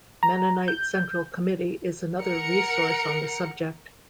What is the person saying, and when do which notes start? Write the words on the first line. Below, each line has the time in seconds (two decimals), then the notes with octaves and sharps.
Mennonite Central Committee is another resource on the subject.
0.23 A#5
0.68 G6
2.21 A#4 F#5 C#7